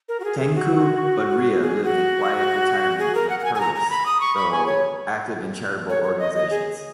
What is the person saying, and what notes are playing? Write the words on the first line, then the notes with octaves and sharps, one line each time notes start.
Tengku Budriah lived in quiet retirement in Perlis, though active in charitable organisations.
A#4
F#4
G#4
G#4
F#4
G#4
F#4
G#4
A#4
F#5
F#5
G#5
G#5
A#5
A#5
B5
D#6
C#6
B5
G#5
C#5
C#5
C#5
D#5
D#5
G#4